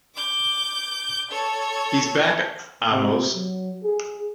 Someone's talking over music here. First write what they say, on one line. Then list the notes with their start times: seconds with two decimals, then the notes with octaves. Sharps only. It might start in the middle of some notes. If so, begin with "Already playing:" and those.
He's back, Amos!
0.15 D6 G6
1.31 A4 C#5
2.91 C3
3.34 F#3
3.84 G#4